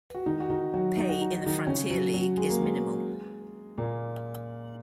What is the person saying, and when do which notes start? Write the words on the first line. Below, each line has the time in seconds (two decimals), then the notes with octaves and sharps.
Pay in the Frontier League is minimal.
0.15 F#4
0.26 D#3 D#4
0.40 F#4
0.50 D#3 D#4
0.74 F#3 F#4
0.97 D#4
1.09 F#4
1.21 D#4
1.34 F#4
1.46 D#3 D#4
1.67 C#3 C#4
1.90 F#3
2.14 F#3
2.37 G#3
2.50 A#3
2.62 G#3
3.78 A#2 A#3